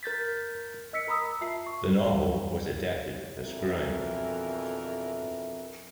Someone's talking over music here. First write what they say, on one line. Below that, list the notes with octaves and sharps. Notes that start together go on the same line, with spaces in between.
The novel was adapted for screen.
A#4 G6 A6 B6
D#5 E6 B6 C#7
A#4 A#5 B5 D#6 E6
A#5
F4 E5 A5 C7
C#6
C#2 F#2 E3 F#3 G3
F2 B2 D3 E3 A#4 E5